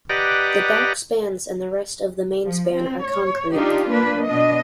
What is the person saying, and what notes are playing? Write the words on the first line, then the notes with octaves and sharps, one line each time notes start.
The back spans and the rest of the main span are concrete.
G4 B4 D5 D#5 F#5 A#5
F3
C4
C#5
D4 D#4 F4 G4
A#3 D4 B4
B2 B3 D4 D#5